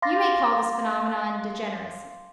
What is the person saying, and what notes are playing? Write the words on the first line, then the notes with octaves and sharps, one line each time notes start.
You may call this phenomenon degeneracy.
F5 C6 D6 A6 A#6